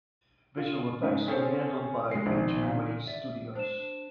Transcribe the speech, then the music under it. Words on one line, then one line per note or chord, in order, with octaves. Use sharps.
Visual effects were handled by Ingenuity Studios.
F4
G#2 C#3
C4 C#4 G#4 A4 C5 C#5
G#3 C7
A#1 D#3
A#2
D5 E5
D4 C5 E7